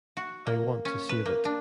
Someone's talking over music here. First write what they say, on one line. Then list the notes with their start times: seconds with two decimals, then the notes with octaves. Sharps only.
I want to save it.
0.17 F#4
0.47 A#3
0.85 C#4
1.09 B4
1.26 A#3
1.45 D4